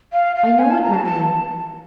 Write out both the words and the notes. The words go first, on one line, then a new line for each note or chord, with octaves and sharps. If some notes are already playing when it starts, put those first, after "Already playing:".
"I know it, Marian."
F5
F5
G#5
A5
A#5
A5
A5